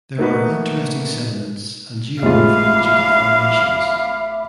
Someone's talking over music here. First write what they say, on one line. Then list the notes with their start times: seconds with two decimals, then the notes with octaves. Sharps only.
There are interesting sediments and geomorphological formations.
0.18 A3 A#3 D#4 F#4 B4
2.22 A1 G#3 F4 E5 F5 B5 D6